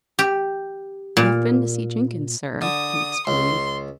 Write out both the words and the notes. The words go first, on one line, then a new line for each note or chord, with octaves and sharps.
"I have been to see Jenkins, sir," he explained.
G4
A#2
D3 D#6
C#2 C6